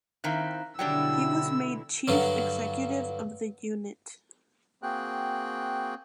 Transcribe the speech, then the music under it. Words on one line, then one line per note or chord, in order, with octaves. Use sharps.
He was made Chief Executive of the unit.
D#3 C4 E4 F5 A#5 F#6
B2 D3 F#3 G3 D4 E4 G5 E6
G2 D3 F#3
A#3 C4 F#4 G#4 G5 F#6